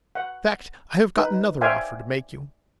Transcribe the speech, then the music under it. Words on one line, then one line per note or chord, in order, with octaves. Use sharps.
In fact, I have got another offer to make you.'
F#5
D#4 B4
C5 D5 E5 F5 G5 G#5